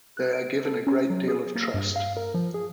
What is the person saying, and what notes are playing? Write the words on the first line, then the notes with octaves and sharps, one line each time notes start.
They are given a great deal of trust.
F#6
D7
A4
C#4
F#3
G#4
A#3
G2
F5
A#4
F3
G#4